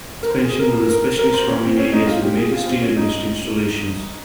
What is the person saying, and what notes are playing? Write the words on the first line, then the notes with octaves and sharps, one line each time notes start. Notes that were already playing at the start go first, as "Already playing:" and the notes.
Expansion was especially strong in areas with major steel industry installations.
A#4
C5
G#4
A#4
A#4
A#4
C5
C#4
C4
C#4
D#4
F4
G4
G#4
F4
C4
C#4
D#4